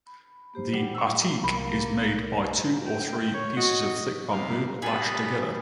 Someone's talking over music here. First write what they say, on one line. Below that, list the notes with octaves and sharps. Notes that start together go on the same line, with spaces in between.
The "atiq" is made by two or three pieces of thick bamboo lashed together.
B5
A#3 G4 C5
G3 F#5
C#6 E6
C2 A#3 B5
G5
C#5
F#4 D#5
C3 F5
G3 B3 G#4 A5 B5